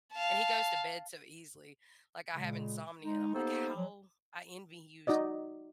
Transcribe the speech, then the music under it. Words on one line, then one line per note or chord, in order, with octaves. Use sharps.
and he goes to bed so easily. Like, I have insomnia and I'm like, "How I envy you so
F5 A5
A#2 C#3 G#3
G#3 D#4
A#3 B3 D#4 G4 A4 C5
F3 F#3
D#4 F#4 D5 D#5